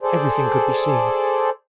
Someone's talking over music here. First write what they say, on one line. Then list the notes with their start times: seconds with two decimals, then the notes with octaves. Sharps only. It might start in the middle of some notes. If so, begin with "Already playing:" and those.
Everything could be seen.
0.01 G#4 A4 C5 D5